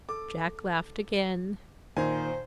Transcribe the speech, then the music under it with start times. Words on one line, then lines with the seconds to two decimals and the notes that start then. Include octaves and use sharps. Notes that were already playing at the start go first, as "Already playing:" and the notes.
Jack laughed again.
0.09 A4 D6
1.97 A#2 D#3 C5 G#5 A#5